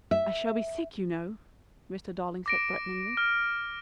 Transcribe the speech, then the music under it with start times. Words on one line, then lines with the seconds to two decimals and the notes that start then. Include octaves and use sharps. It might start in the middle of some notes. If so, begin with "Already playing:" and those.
"I shall be sick, you know," Mr. Darling said threateningly.
0.11 E5
2.46 D6 A#6 D7
3.17 F6